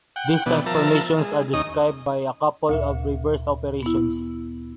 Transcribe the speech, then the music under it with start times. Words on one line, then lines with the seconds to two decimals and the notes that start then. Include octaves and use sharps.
These transformations are described by a couple of reverse operations.
0.16 F#5 G5
0.46 B2 E3 B3 D4
0.66 F3 A#4 E5 A5
1.20 G#3
1.54 D#2 C#4 D#4 D#5 D#6
2.69 D2 A#2 E5
3.83 B3 E4